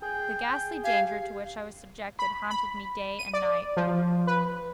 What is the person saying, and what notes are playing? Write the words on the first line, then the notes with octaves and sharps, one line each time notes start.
The ghastly Danger to which I was subjected haunted me day and night.
G#4 G5
G4 F5 G#5
B5
B5
D#7
D5
F3
B4